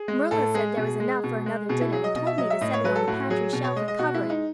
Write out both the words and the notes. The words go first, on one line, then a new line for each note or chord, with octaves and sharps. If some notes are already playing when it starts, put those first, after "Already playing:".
Marilla said there was enough for another dinner and told me to set it on the pantry shelf and cover it.
Already playing: G#4
G#3
A2 A4
G#3 G#4
B2
G#3
B2
G#3
B2 G#4
E4
F#3 G#4
D#5
B2 D#5
E5
F#3 D#5
E5
A2 D#5
C#5
F#3 B4
A4
A2 F#4
F#3 G#4
B2
C#5
G#3 D#5
D#5
B2 F#4
E4
G#3
D#4